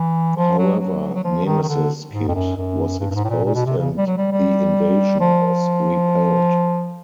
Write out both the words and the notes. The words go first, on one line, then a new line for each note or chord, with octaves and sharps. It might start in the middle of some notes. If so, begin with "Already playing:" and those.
However, Nemesis Kid was exposed and the invasion was repelled.
Already playing: E3
F3
F#3
F#3
F#3
F3
D#3
D#3
D3
G#2
F2
F#2
F#2
G2
G2
G#2
A2
A#2
A#2
B2
C3
C#3
G3
F#3
G3
G3
F3